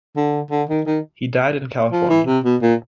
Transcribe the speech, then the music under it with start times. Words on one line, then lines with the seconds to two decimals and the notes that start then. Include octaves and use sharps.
He died in California.
0.17 D3
0.51 D3
0.69 D#3
0.87 D#3
1.92 F3
2.09 E3
2.26 C3
2.44 B2
2.62 A#2